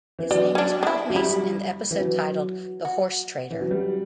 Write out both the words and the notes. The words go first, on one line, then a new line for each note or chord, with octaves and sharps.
His name is Ralph Mason in the episode titled The Horse Trader.
E3
F#3 D4
C#4
D4
D4
E4
F#3
G3 E4
E3
F#3
F#4
E3
F#3
G3